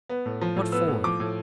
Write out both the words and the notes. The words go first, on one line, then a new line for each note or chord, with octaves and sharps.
"What for?"
B3
A2
F3
A2
B3 E6
A2
F3 D6
A2